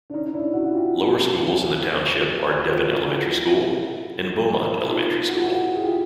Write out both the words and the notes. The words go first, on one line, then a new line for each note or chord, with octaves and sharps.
Lower schools in the township are Devon Elementary School and Beaumont Elementary School.
D4
C#4 D#4
D#4
D4 E4
E4 F#4
F#4
F4 G4
F#4 G#4
F4 G4
F#4 G#4
F4 G4
E4 F#4
D#4 F4
F#4
F4
E4 F#4
G4
G#4
F4 G4